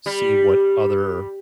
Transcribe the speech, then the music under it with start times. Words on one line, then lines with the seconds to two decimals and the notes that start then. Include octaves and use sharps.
see what other
0.06 G3